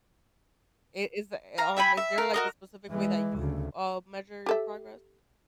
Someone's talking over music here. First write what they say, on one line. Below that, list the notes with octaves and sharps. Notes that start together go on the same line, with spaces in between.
It is it eh um, is there, like, a specific way that you, uh, measure your progress?
F5 A#5
E5 G5 G#5 B5
E5
A#4 F5
F#4 A#4 D#5
E3 G#3
D2 C#3
G4 A4 E5